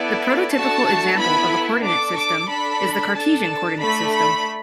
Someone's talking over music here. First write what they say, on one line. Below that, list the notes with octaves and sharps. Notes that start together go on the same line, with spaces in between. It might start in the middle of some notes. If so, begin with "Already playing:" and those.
The prototypical example of a coordinate system is the Cartesian coordinate system.
Already playing: B3 E4 A4 D5
A3 D4 F#4 A4 A5
B3 E4 A4 B5
D4 A4 D6
D6
D4 A4 B5
D4 A4 A5
A3 D4 A4 B5
B5